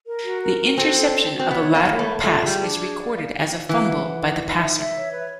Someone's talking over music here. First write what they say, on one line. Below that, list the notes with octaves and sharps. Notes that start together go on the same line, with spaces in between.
The interception of a lateral pass is recorded as a fumble by the passer.
A#4
F#4
A#4
F#4
C4 A4
A4
D4
F#4
C4
B3 C#5
B5
A#3
C#5
A3
F#5
A3 F4
G#4
G3
D4
G#4
D5
F5
F5
F5
E3 F#5
F#5
F#5
F#5
D#4
E5
E5
C#5
B4